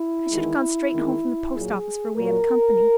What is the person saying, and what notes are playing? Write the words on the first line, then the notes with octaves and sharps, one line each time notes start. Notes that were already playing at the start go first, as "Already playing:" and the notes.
I should have gone straight home from the post office for we have company.
Already playing: E4
E2 D#3 G#3
E2 D#3 G#3
A#2 F#3 G#4
A#2 F#3 A#4